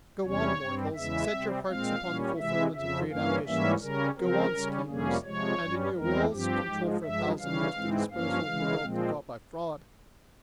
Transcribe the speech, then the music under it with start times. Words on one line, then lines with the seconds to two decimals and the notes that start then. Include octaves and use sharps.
Go on, mortals; set your hearts upon the fulfillment of great ambitions: Go on, schemers, and in your wills control for a thousand years the disposal of the wealth you got by fraud!
0.23 E2 C3 G3 C#4 C#5
0.60 G2 G3 C4
0.95 E2 C#3 E3 G#3 E5
1.31 C3 G3 C4
1.67 A#2 G#3 C4 F5
2.03 A#2 G3 C#4
2.38 C3 E3 G#3 E5
2.75 F2 C#3 F3 E5
3.10 G2 E3 A#3 C#4 F5
3.46 G#2 E3 G3 A#3 C#4 E5
3.81 C#3 G3 C#4 A#4
4.17 C#3 F3 C4 A#4
4.53 C#3 G3 C#4
4.88 F2 C3 G3 A#3 C#4 G#4
5.24 C3 F3 G#3 C#5
5.61 G2 G3 C#4
5.97 E2 E3 G#3 C4 A#4
6.31 G2 F3 C4 G4
6.67 G#2 F3 G#3
7.03 G2 F3 G#3 E5
7.39 C#3 E3 G3 C#4 F5
7.75 G#2 E3 G#3 C4
8.10 G2 F3 A#3 C#4 F5
8.47 C#3 E3 G#3
8.82 A#2 F3 G#3 C4